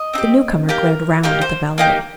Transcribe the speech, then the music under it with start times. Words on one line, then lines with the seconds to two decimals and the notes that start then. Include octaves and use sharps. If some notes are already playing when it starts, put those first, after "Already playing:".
The newcomer glared round at the valet.
Already playing: D#5
0.13 C4 D#4
0.18 G4
0.69 A#3 D#4 G4 A#4
1.23 A#3 D#4 G4 A#4
1.41 C5
1.78 A#3 D#4 G4